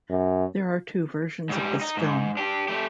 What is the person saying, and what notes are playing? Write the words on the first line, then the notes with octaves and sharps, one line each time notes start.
There are two versions of this film.
F#2
G#2 G3
D#4
G#2
D4 G4
A3 G4